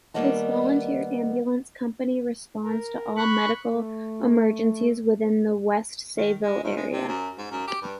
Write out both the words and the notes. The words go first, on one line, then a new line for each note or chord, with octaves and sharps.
This volunteer ambulance company responds to all medical emergencies within the West Sayville area.
D#3 G3 A#3 B3 D#5 A5
A#4
B5 C#6 F#6
A3
D#3
G#3
G2
G#3
C3
F#2
G#2
F#2
G4
G2